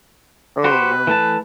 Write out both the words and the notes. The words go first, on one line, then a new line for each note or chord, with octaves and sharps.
Oh, no.
F#4 G4 B4 C5
E3 A3 A5